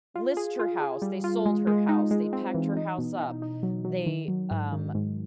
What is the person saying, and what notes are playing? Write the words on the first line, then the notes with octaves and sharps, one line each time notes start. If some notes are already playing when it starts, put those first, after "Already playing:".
list her house. They sold her house. They packed her house up. They, um,
F4
G#4
F4
G#4
G3
F4
G#3
G#3
D#4
G#3
C4
E3
D#4
B2
D#4
D#4
F#3
F#3
D#3
F#3
G#2
D#3
G#2